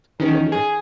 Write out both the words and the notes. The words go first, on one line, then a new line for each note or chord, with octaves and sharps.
phone number.
D#3 C#4
G#4